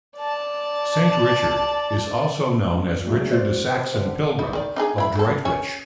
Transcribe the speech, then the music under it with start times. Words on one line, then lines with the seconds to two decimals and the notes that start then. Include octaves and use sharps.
Saint Richard is also known as Richard the Saxon Pilgrim, of Droitwich.
0.16 D5 A5
3.06 A#2 F#3 G#3 A3
3.31 F#4 C5 D5
3.70 G4 C5
3.94 D3 G4 C5
4.39 D#4 E4
4.53 D#3 D5
4.76 D4 D#4 G#4
4.98 E4 B5
5.15 D3 A4
5.45 C#4 C#5 G#5